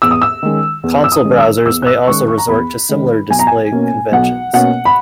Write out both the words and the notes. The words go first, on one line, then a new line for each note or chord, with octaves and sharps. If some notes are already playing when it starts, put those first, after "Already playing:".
Console browsers may also resort to similar display conventions.
E2 E6
D#6
E6
D#3 G#3 C#4
E2
E6
D#6
D#3 G#3 C#4
E6
E2 E6
F#6
E6
D#3 G#3 C#4 C#6
C#6
A#5
E2 B5
D#3 G#3 C#4
B1 G#5
A#5
G#5
B2 A#3 C#4
B1 F#5
B2 A#3 C#4 F#5
B5